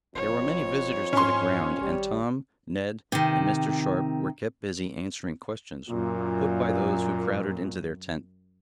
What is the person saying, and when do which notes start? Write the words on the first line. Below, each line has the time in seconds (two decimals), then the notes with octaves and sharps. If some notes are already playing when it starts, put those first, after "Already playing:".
There were many visitors to the ground, and Tom, Ned and Mr. Sharp were kept busy answering questions put by those who crowded into their tent.
0.15 F1 F2 C#5
1.13 G#2 C#4 C6
1.81 G#1 G3
3.12 C3 D#3
5.89 F#2 A#2